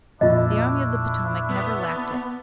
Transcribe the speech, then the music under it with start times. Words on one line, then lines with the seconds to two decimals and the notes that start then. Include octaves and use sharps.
The Army of the Potomac never lacked it.
0.21 F2 A#2 A3 D4 E4 F4 D#5
1.50 B3